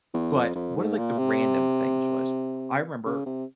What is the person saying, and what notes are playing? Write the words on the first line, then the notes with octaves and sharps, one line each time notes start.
but one of, like, the random things was I remember
E2
F2
F2
G#2
A#2
C3
C#3
C3